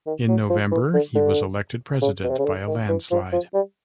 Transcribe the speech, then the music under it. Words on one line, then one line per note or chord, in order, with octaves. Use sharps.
In November he was elected President by a landslide.
D#3
F#3
F3
E3
D3
D3
C#3
B2
C3
C#3
D3
D#3
E3
F3
F3
G3